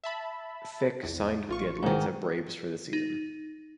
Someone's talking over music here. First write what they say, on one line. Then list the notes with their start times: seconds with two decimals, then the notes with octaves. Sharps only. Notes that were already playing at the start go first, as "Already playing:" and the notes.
Fick signed with the Atlanta Braves for the season.
0.04 E5 A5 B5
1.03 A#1 E2
1.49 A1 F4 C#6
1.83 G#2 D#3
2.93 D#4